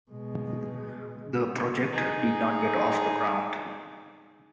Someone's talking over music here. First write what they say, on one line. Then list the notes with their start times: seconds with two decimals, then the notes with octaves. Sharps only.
The project did not get off the ground.
0.11 B2 G#3
1.92 D#4 G#4